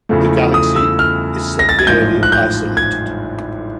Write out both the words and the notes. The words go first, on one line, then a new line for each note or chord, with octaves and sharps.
The galaxy is severely isolated.
E2 C#3 F3 A3
D#6
E6
F6
A#6
A6
G#6
A1 G#2 F3 G6
F#6
G6
G#6